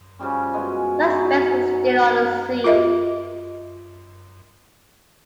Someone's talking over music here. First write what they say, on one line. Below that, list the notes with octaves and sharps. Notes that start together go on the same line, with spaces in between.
Suspects were still on the scene.
C#3 F3 G3 C#4
B2 G#3 D#5
F#3 D#4 E4 G#4
A#4
F4 A#4 D#5 E5